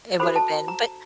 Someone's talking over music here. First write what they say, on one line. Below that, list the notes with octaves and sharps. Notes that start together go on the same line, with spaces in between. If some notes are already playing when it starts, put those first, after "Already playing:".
It would've been but
F#4 A4 C5 B5
A5
A#5